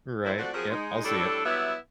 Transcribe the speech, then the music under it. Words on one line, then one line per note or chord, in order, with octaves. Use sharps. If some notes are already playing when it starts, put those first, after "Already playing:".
Right, yep, I'll see ya.
A#3 E4 C5
F3 A3 C4 F#4 D5 F#5
F3 F#3 C4 F#4 G#4 A#4
G#3 D#4
A2 G3 D4 A4
F#3 G3 B3 E4 E5